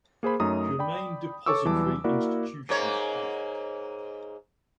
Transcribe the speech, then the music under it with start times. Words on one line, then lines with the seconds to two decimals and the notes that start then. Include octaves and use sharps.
Germain Depository Institutions Act.
0.23 A#3 G#4 C5 B5
0.40 F#2 A3 D#4 C#5 A#5 D#6
0.79 D5 G5 B5
1.46 A4 C#5 C#6 D6 E6
1.65 E2 E3 F#3 G3 A5 D6
2.04 A#3 E4 F#4 A#4 D5
2.69 G#2 A#3 C#5